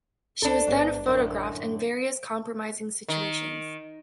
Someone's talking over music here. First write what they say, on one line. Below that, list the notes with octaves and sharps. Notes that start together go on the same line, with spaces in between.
She was then photographed in various compromising situations.
C#2 D4 A4
A1 G#2 B3 G#4
F#2 A2 D3
D#3